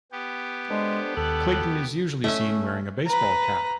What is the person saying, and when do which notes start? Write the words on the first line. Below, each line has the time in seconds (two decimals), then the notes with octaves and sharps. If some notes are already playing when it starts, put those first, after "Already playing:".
Clayton is usually seen wearing a baseball cap.
0.12 B3 G4
0.70 G#3 D4 A4 C5
1.17 D#2 A4 F#6
2.24 A3 C#4 E5
3.05 B4 A#5